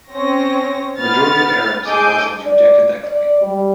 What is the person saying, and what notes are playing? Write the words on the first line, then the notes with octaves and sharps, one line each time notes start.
The majority of Arabs and Muslims rejected that claim.
C4 C#4 C#5 A#6
B3 D#4 F6 A6
G#4 A4 D#5 G#5 D6 G6
D5
D5
G3